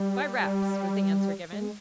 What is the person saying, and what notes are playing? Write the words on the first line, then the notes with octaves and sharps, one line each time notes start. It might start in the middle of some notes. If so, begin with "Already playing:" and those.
"By raps," was the answer given.
Already playing: G3
G#3